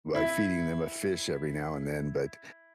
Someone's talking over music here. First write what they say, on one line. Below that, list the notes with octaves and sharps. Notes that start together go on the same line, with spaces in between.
by feeding them a fish every now and then, but
E4